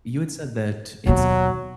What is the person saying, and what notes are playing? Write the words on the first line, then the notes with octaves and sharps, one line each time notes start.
you had said that it's
D#2 B2 F#3